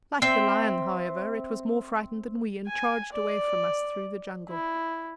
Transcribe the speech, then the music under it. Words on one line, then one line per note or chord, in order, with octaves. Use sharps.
Like the lion, however, it was more frightened than we, and charged away from us through the jungle.
C4 E5
G#5
D5
E4